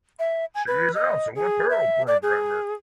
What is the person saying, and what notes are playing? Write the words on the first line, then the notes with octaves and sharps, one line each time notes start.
She is also a Perl programmer.
E5
G#5
B4
D#5
G#4
E5
D5
G#4